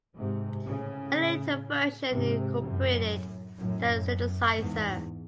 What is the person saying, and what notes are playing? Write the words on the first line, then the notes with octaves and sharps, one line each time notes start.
A later version incorporated that synthesizer.
G#2 C3
A2 C#3
G#2 C3
F#2 A2
F#2 A2
E2 G#2